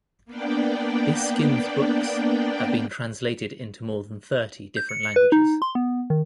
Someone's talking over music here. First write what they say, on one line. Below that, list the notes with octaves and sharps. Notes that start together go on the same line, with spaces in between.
Biskind's books have been translated into more than thirty different languages.
A#3 B3 D4 D5 G5
G6
C#7
C#7
B4
D#4
C6
B3
D#3